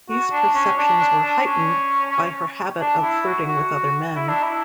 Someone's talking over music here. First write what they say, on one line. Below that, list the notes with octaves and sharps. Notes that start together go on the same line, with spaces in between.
These perceptions were heightened by her habit of flirting with other men.
F#4
D4
C#4
D4
D4
D4
C#4
D4
E4
F#4
F#4
E4
D4
E4